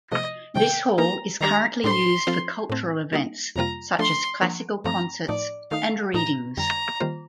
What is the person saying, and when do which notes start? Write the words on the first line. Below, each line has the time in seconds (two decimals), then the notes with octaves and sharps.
This hall is currently used for cultural events such as classical concerts and readings.
0.11 C3 F3 A3 D#5
0.55 C3 D#3 A3 G5
0.98 F3 A#3 D#4 G4 A#4 A#5
1.41 D#3 G3 D4 G4 A#5
1.84 A2 G3 D4 A4 C5 C6
2.27 F3 C4 F4 A4 C5
2.70 A2 A3 C4
3.13 G3 A#3 D#4
3.56 F2 C3 G3 A#3 F4 A#5
3.99 F3 A3 D4 A4 C6
4.41 F3 A#3 D4
4.84 G2 F3 A3 C4 A#5
5.28 A2 F3 A3 D#4 D5
5.71 D#3 A3 D#4 F5
6.14 A2 A3 D#4 A#5
6.57 F2 D3 G3 A#5
7.00 D#3 G3 A#3 F4 C5